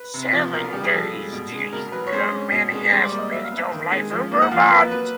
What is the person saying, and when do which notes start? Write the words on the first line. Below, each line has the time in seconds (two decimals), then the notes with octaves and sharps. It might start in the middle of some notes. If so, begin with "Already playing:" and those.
"Seven Days" deals with many aspects of life in Vermont.
Already playing: B4
0.14 C3
0.33 F3
0.53 B2 A#4
0.73 G3 G4
0.83 G#4
0.93 F3 A4
1.13 G#3
1.33 B2
1.52 G#3
1.72 B2 A#4
1.92 F#3 B4
2.07 C#5
2.12 G#3 C5
2.32 C#4
2.52 B2
2.72 G#3
2.92 G3 C5
3.05 D5
3.12 A#3
3.18 D#5
3.32 F#3 E5
3.44 F5
3.52 B3 E5
3.72 D#3
3.92 G#3
4.11 F3
4.32 A#3
4.42 F#5
4.51 F3 F5
4.71 A#3 B4
4.91 F#3 B4